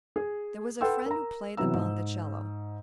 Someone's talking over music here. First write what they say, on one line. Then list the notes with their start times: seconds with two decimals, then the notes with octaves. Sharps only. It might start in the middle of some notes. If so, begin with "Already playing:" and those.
There was a friend who played upon the 'cello.
0.16 G#4
0.81 A4 B4 F#5 G5 C6 E6
1.06 A#4 A#5
1.57 C3 E3 F#3 B3 A#5 E6
1.74 G#2